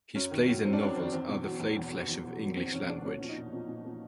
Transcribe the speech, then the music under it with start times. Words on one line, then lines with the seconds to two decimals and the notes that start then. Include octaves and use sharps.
His plays and novels are the flayed flesh of English language.
0.15 F#2 C#4
0.31 D#3
0.48 F#3
0.64 F#2 C4
0.73 D4
0.80 F#2 C#4
0.95 D#3 C4
1.12 E2 C4
1.29 B2
1.44 F#3
1.60 E2
1.76 E2
1.93 B2
2.08 E2
2.24 B2
2.40 F#3
2.57 E2 C4
2.73 E2 C#4
2.88 B2 D4
3.04 A#2 C#4
3.21 F3
3.29 D#4
3.37 A#2
3.53 F3
3.68 A#2
3.85 F3